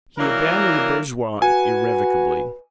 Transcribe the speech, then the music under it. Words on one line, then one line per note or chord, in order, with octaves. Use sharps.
He abandoned the bourgeoise irrevocably.
E3 F#3 G3 A#3 A#4
F#4 B4 G#5